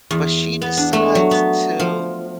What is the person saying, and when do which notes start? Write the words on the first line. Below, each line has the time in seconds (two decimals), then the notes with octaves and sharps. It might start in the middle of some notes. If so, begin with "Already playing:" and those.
But she decides to
0.11 E2
0.61 B3
0.77 D4
0.93 A3
1.15 F#3
1.31 B3
1.80 F3